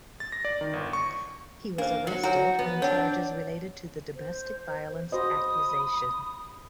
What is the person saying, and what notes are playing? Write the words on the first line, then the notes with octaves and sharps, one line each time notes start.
He was arrested on charges related to the domestic violence accusation.
A6
A#6
D5
D#3
G1
C#6
A#3 D4 C5
F#3
F#4 C#5 G#5 A#5
B3
C4 D4 C#5 F#5
C5
F#4 C5 D#5 B5 D#6